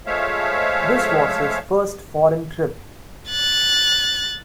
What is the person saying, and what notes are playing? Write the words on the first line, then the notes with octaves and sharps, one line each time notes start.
This was his first foreign trip.
F3 G#3 A3 C#5 E5 F5
F#6 A6